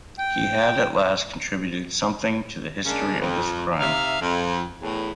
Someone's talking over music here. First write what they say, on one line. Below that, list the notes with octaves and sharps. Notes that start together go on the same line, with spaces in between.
He had at last contributed something to the history of this crime.
G5
C#3 G#3 A#3 C#4 D4
F2
C3 D#4 E5 F5
F2
E2 A2